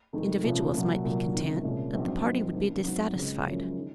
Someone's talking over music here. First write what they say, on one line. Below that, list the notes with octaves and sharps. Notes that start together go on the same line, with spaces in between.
Individuals might be content, but the party would be dissatisfied.
F1 F2 D#3 G#3
C2 A#2 F3 A#3 C#4
C2 A#2 F#3
C2 A#2 F#3
C#2 C3 D#3
C2 A#2 G#3 C#4
A#1 G#2 F#3 C4
G#2 D#3 F#3 C4
F1 D#2 C#3
G#2 F#3 C4 D#4
C#2 C#3 G#3 C#4
F#1 F#2 F3 G#3 C#4
D#3